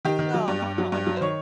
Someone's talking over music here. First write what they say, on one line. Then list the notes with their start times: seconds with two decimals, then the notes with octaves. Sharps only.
No, no, no, I know.
0.05 D#3 G4
0.19 D#3
0.34 F#3
0.48 G2
0.62 G2
0.78 F#3
0.92 G2
1.07 F#3
1.17 C5
1.21 D#3 C#5